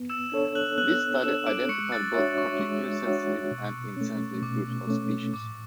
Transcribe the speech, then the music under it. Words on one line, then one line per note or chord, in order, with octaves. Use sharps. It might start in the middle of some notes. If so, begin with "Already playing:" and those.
This study identified both particularly sensitive and insensitive groups of species.
Already playing: B3
E6 E7
D4 A4 C#5
F#6 F#7
B3 F#6 F#7
D4 A4 C#5 E6 E7
D6 D7
G#3 C#6 C#7
A6
D4 F#4 C#5 E5 A6
C#6
G#3 C#6
D4 F#4 C#5 E5
B2
A3 C#4
B2 D6
A3 C#4
A2 D6